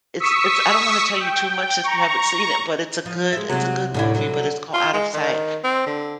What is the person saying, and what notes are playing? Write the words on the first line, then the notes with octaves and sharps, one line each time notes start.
it's it's I don't wanna tell you too much since you haven't seen it, but it's a good it's a good movie, but it's called Out of Sight.
C#6 D#6 E6 B6 C#7
G5
A#5 C#6
F3
G#3 E5
C2 C3 F#3
D2 A2 D3 E4
D3 F#3
F4
G#3
D#3
C4
D3